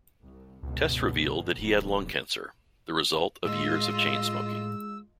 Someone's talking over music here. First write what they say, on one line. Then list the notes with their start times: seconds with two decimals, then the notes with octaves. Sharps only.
Tests revealed that he had lung cancer, the result of years of chain smoking.
0.24 C2
0.63 G1 C#2 B2
1.58 D1 B1 F2
3.45 A2 G#3 F4 D#5 E6